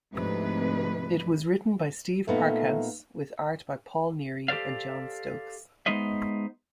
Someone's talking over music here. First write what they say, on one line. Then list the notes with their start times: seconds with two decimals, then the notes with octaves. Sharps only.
It was written by Steve Parkhouse with art by Paul Neary and John Stokes.
0.13 D2 G#2 C3 F3 B4
2.28 A#2 A3 B3 D#4
4.48 G4 A4 C5 D5 F5
5.86 G#3 B3 D#4 C5 D#5 E5